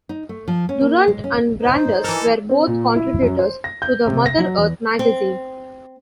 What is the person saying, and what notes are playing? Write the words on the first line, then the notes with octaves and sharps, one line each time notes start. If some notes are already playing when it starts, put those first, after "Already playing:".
Durant and Brandes were both contributors to the "Mother Earth" magazine.
D#4
A3
F3
C#4
A#3
G#3
C#4
D#4 C5
E3 A4 A#4
C4
A#2
E4
F#2
C5
A#6
G6
C3
A#6
F#3
E2
C4